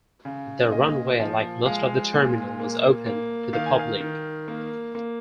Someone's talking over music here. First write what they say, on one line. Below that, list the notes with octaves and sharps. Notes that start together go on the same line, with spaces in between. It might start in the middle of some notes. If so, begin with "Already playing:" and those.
The Runway, like most of the terminal, was open to the public.
C#3
A#2 D#5
F3
G#3 F5
A#2
A#3
A#3
D#3 F5
G#5
F5
D#3
A#3
A#3